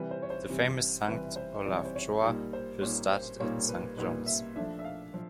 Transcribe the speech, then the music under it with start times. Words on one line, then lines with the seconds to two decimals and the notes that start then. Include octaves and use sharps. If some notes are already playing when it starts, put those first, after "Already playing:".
The famous Saint Olaf Choir first started at Saint John's.
Already playing: C3 E3 G3 B4
0.11 C5
0.22 C#5
0.30 C5
0.49 C3 E3 G3
1.07 C3 E3 G3 B4
1.36 C5
1.65 C3 E3 G3 D5
1.76 C#5
1.85 C5
1.95 C#5
2.23 A#2 G3 A#3 D#4
2.53 C5
2.81 A#2 G3 A#3 D#4 C#5
3.11 C5
3.40 A#2 G3 A#3 D#4 C#5
3.69 B4
3.97 A#2 G3 A#3 D#4 B4
4.26 E5
4.56 F3 A3 D4 E5
4.79 E5
4.84 F5
5.14 F3